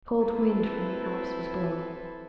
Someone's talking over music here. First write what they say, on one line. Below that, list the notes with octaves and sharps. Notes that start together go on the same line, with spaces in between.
A cold wind from the Alps was blowing.
C4 E4 A4 B4